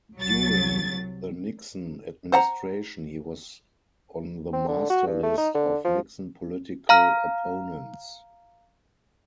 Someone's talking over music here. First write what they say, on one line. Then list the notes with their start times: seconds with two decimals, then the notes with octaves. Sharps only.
During the Nixon administration, he was on the master list of Nixon political opponents.
0.17 C2 F#3 A6
2.32 C5 F#5 A#5
4.53 C4
4.68 D3
4.90 F#4
5.07 G2
5.23 A3
5.38 D#4
5.55 D3
5.85 F3
6.89 F5 A#5 F6